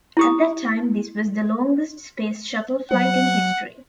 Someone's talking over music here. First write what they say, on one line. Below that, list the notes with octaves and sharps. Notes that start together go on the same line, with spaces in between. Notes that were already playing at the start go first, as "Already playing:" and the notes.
At that time this was the longest Space Shuttle flight in history.
E4 G4 D#6
F#3 F#5